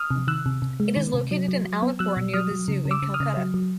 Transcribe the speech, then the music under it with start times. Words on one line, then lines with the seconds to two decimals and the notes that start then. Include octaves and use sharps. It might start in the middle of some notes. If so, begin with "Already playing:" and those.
It is located in Alipore, near the zoo, in Calcutta.
Already playing: D#6 F6
0.11 C3
0.28 D#3 E6 F#6
0.46 C3
0.62 C3
0.80 G#3
0.97 D#3
1.14 C3
1.31 F#3
1.48 F#3
1.65 F#3
1.82 B3
1.99 F#3 E6 F#6
2.17 B2
2.34 F#3 D#6 F6
2.52 F#3
2.68 C#3
2.85 C#3
2.91 D6 E6
3.03 C#3
3.14 D#6 F6
3.20 C#3
3.37 F#3
3.54 F#3